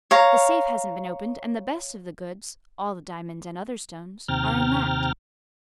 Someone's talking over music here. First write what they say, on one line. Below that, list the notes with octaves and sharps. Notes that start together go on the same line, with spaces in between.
The safe hasn't been opened, and the best of the goods--all the diamonds and other stones--are in that.
C#5 F5 A#5
D#2 C3 G5 A#5 F6 A6